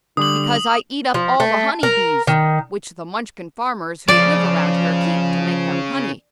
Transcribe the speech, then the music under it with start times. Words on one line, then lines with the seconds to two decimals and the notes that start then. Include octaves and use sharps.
"Because I eat up all the honey-bees which the Munchkin farmers who live around here keep to make them honey."
0.17 D3 G3 D#6 F#7
1.14 F3
1.40 A3
1.83 A#4
2.27 D#3
4.08 C#3 F3 D5